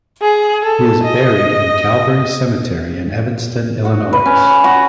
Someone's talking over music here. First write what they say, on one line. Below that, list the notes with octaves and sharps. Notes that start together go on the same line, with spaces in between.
He is buried in Calvary Cemetery in Evanston, Illinois.
G#4
A4
D#5
F#4
B4
C#4
F#4